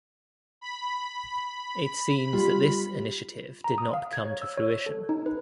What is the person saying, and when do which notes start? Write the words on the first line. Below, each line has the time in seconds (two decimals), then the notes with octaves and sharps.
It seems that this initiative did not come to fruition.
0.61 B5
2.33 G3 F4
3.64 A#5
3.78 D#6
3.94 F5
4.13 G#6
4.25 C#5
4.42 E6
4.57 C#5
4.86 A4
5.09 D#4
5.26 B4